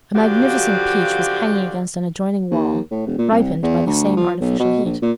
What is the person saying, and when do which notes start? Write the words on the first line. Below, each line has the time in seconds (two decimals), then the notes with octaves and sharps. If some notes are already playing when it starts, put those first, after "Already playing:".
A magnificent peach was hanging against an adjoining wall, ripened by the same artificial heat.
0.16 F#2 D3 F3 F#4 G4 F5
2.51 D#2
2.91 A2
3.06 E1
3.18 A#2
3.32 C2
3.62 E2
3.86 D2
4.16 F3
4.41 B1
4.59 B2
4.85 A#1
5.02 A#2